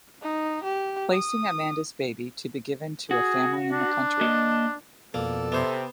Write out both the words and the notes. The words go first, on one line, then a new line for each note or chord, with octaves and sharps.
Placing Amanda's baby to be given to a family in the country.
D#4
G4
D#6
F#4 G#4
D4
A#3 D#5 A5
F2 B2 A#3 A4 D5
C3 B3 C5